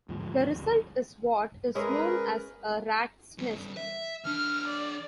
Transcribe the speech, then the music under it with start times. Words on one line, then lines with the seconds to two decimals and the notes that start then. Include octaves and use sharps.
The result is what is known as a rat's nest.
0.09 D#2 G#2 D3 F3
0.52 G1 D2
1.75 G#3 C#4 G#4 A#4 B4 E5
3.38 E2 G3
3.77 E5
4.25 E3 D4 F6
4.67 D5